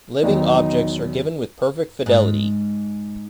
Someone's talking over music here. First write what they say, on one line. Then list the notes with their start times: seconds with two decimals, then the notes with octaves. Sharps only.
Living objects are given with perfect fidelity.
0.23 E2 D#3 F#3 D#4
2.06 G#2